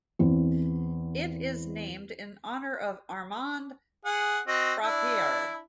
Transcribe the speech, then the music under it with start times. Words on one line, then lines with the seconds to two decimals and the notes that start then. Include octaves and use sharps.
It is named in honour of Armand Frappier.
0.19 E2 C4
4.05 G#4 F#5
4.48 C4 F#4 D#5
4.83 D4 E4